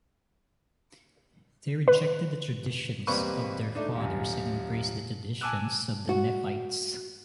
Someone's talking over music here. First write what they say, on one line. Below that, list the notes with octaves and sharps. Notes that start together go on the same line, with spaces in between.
They rejected the traditions of their fathers and embraced the traditions of the Nephites.
B4
E1 G3 A#3 C4 B4 C#6
A3 D4 D#4
D#1 F#2
G#5 A5 D6 E6 F#6
F#4